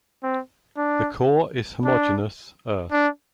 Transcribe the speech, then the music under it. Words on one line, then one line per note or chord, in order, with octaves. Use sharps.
The core is homogeneous, earth.
C4
D4
D4
D4